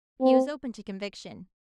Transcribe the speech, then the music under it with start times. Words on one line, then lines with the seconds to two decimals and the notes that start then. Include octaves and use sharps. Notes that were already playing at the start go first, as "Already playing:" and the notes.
He was open to conviction.
0.21 C4